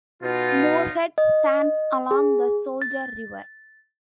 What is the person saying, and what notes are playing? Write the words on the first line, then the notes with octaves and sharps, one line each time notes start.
Moorhead stands along the Soldier River.
B2 D#4 F4
D#5
G#4
A6